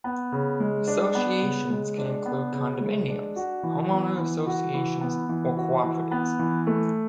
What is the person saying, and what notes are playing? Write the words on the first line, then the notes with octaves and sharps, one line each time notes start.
Associations can include condominiums, homeowner associations or cooperatives.
B3
C#3
G#3
D4
B3
C#3
G#3
D4
B3
C#3
G#3
D4
F#4
E3
B3
E3
F#4
E3
B3
E3
F#4
E3
B3
E3
A3